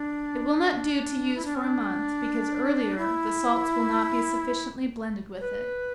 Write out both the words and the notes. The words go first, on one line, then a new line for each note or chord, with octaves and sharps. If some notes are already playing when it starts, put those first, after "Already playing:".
It will not do to use for a month, because earlier, the salts will not be sufficiently blended with it.
Already playing: D4
E4
D4
C#4
D4
E4
B4